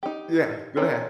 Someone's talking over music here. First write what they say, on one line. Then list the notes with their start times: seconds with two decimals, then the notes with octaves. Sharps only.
Yeah, go ahead.
0.03 D#4 G4
0.77 C4 C#4 A4 A#4